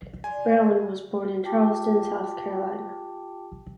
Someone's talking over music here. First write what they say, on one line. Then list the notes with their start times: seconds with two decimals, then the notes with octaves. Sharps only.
Brown was born in Charleston, South Carolina.
0.24 D4 F4 G#5
1.43 F4 G4 G5 A5 D6